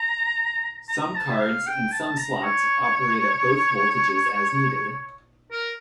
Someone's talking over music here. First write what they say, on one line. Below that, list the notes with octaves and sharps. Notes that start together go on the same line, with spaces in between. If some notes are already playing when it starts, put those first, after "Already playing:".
Some cards and some slots operate at both voltages as needed.
Already playing: A#5
A#5
A5
E5
F5
G5
A5
A#5
C#5
A#4